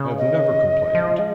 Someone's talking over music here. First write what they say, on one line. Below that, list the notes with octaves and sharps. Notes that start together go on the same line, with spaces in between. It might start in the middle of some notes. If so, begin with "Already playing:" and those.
I have never complained.'
Already playing: C#3
D#5
F3
G#3